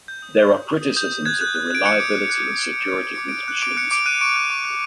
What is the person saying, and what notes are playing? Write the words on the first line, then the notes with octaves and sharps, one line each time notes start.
There are criticisms of the reliability and security of these machines.
G6
D#6
G6
G6
D#6
D#6
D#6 G6
D#6
F#6 G#6
F#6
F#6
F#6 D7
F#6 C#7
D6
F#6
F#6
F#6
F#6
F#6
F#6
D6 D7
D6 C#7
F#6 D7
F#6
D6 D7
F#6 C#7
D6 D7
F#6 D#7
C#6 D7
F#6
C#6
F#6